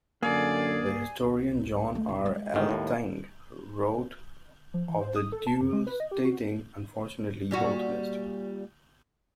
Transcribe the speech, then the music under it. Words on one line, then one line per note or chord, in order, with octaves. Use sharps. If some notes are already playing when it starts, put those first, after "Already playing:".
The historian John R. Elting wrote of the duel, stating, Unfortunately, both missed.
F#2 D3 A#3 G#4 D5
A3
E1 G#2
G#3
G1 G#2 D#3 G#3 A3
D#2 A2
F3
E3
C5
D#6
A4
A5
F#2
G#3
B4
D#5
G4
F#4
A#2 G3 F#4